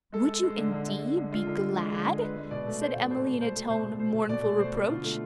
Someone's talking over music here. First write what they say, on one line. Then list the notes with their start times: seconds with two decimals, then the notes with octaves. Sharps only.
'Would you, indeed, be glad?' said Emily, in a tone of mournful reproach.
0.12 G#3 A4
0.28 G#3
0.43 G#3
0.57 D3
0.72 D3
0.88 G#3
1.02 G#3
1.17 D3
1.32 G#3 F4
1.47 D3
1.61 G#3
1.77 G#3
1.91 D3 G#4
2.06 G#3
2.21 G#3 B4
2.37 G#3
2.51 B2 D5
2.67 A3
2.81 A3 C5
2.96 B2
3.10 B2 C5
3.26 B2
3.40 A3 C5
3.55 A3
3.70 B2 C5
3.86 B2
3.99 A3 C5
4.14 B2
4.29 B2 D5
4.44 A3
4.59 B2 C5
4.74 B2
4.89 D3 F4
5.04 A3